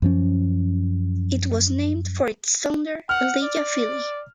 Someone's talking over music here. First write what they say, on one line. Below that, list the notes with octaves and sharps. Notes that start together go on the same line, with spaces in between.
It was named for its founder, Elijah Filley.
F#2 F3 C#4
F#5 F6
D5